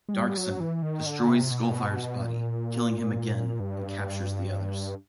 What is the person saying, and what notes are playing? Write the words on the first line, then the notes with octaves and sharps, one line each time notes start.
Darkson destroys Skullfire's body, killing him again and captures the others.
G#3
G3
F#3
E3
D#3
D3
C3
B2
A#2
G2